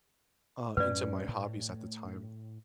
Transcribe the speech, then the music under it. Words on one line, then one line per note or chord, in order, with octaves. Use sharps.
uh, into my hobbies at the time.
F#2 A2 C#4 B4 D5
A2